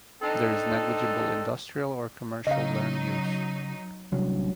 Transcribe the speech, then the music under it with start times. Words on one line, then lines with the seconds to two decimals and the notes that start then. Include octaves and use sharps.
There is negligible industrial or commercial land use.
0.22 C4 D4 D#4 A4
2.47 C#3 F#3 D#4 D#5 F5
4.12 A1 C3 F#3 G3 D4